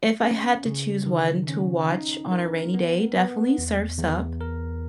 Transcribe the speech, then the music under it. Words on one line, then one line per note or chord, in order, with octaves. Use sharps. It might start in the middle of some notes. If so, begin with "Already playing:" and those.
if I had to choose one to watch on a rainy day, definitely Surf's Up.
C#4
C#3
D#3
C#4
D#4
A#4
B3
B3
E2
E2
A#4